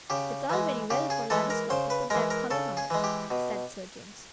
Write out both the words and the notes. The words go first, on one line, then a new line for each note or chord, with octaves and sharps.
"It's all very well for Ladislaw to put that color on it," said Sir James.
C#3 G4
E3 G#3
C#3 G4
G#4
E3 G#3 A4
A#4
C#3 C5
B4
E3 G#3 A#4
A#4
C#3 A4
G#4
E3 G#3
G4
B2